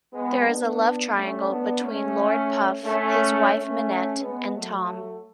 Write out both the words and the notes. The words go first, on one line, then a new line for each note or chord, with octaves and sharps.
There is a love triangle between Lord Puff, his wife Minette, and Tom.
G#3 B3
B3 D4
A3 C#4
B3 D4
A3 C#4
A3 C#4
A3 C#4
G#3 B3
F#3 A3